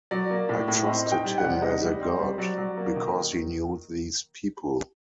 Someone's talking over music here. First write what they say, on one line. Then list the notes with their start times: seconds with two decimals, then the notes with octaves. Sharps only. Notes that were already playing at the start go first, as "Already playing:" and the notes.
I trusted him as a god, because he knew these people.
0.11 F#3 D5
0.31 A#3
0.49 A2
0.68 A2
0.87 C4 D#5
1.06 D#4
1.12 G5
1.25 G3
1.38 F#5
1.44 C3
1.62 D#4 D#5
1.81 G3
2.01 C4
2.19 G3
2.38 F#3 D5
2.58 F#3
2.77 A#3
2.96 D#3